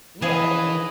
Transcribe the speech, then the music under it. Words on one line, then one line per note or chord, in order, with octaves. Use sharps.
yeah, like when you
E3 F3 G#4 B4 D#5